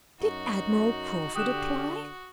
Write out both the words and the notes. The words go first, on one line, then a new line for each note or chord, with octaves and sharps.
Did Admiral Crawford apply?
F#2 D#4 F#4
D3 G4 D#6 F#6 E7